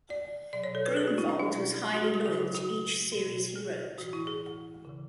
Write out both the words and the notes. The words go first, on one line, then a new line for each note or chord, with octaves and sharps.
Gruenwald was highly loyal to each series he wrote.
D5
B2 F#3 D5
C#5
A4
B4
G#4
F#4
E4
C#4
B2 F#3 D4
F#4
G#4
F#4
C#3 F#3 F#4
F#4
F#4
B2 F#3
G#4
A2 E3 F#4
E4
G#4
C#3 E3